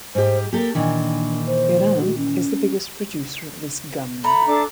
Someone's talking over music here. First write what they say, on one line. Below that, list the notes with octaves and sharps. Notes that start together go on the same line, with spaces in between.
Iran is the biggest producer of this gum.
G#2 G4 C5
A#3 G4 A4 A#4
A#2 D#3 E3 D4
C5
F#4
C#4
A3 A#5 B5
D4 A4 D6